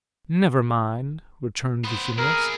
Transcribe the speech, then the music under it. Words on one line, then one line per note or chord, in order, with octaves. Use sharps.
"Never mind," returned the humorist.
B3 C5
E4 G#4 A#4